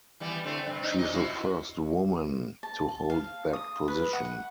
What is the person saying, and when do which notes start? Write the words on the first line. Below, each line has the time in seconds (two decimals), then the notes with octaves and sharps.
She is the first woman to hold that position.
0.20 E3 G3 B3
0.44 D3 A3 C4
0.66 G2 C3
0.83 D#4
0.98 F#2 D#5
1.13 C3 E4 F#4
2.63 A5
3.10 F5
3.53 D#6
3.88 B4
4.13 F#5